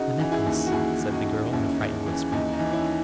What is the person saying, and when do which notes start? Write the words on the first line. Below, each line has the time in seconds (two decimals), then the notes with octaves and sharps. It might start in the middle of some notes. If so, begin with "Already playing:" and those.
"The necklace," said the girl, in a frightened whisper.
Already playing: C#3 D#4 F#4
0.19 E3
0.32 E4 G#4
0.46 D#2
0.66 F#4
0.72 D#2 E4 G#4
1.00 C#3
1.13 D#4 F#4
1.25 D#2
1.52 D#2 C#4 E4
1.68 C#4
1.72 D#4
1.79 C#3
1.93 C#4
2.06 E3
2.12 C#4
2.32 D#2 D#4
2.53 D#4
2.59 E3
2.73 C#4 E4